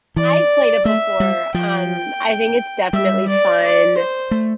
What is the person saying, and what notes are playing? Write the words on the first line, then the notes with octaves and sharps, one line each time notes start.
I've played it before, um, I think it's definitely fun.
E3 D5
A3 E5
G3
F3 G5
G3 E5
D5
D5
C5
A3